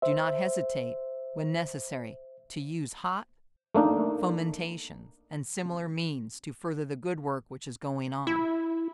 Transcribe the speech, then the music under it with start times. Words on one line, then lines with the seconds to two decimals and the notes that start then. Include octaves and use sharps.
Do not hesitate, when necessary, to use hot fomentations and similar means to further the good work which is going on.
0.02 C5 E5
3.75 A3 A#3 D4 D#4
8.27 E4